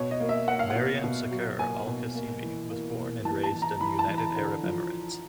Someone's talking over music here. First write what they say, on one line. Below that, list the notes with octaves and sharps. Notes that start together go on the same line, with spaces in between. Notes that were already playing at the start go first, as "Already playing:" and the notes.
Maryam Saqer Al Qasimi was born and raised in the United Arab Emirates.
Already playing: B2 C#5
D#5
A#3
E5
A#3 F#5
F5
F#5
B2
B2
F#3
A#3 G#5
B2
A#3
E3
A#3
A#3
E3 A5
A5
E3
A#5
E3 B5
A5
E3
A#5
D3
F3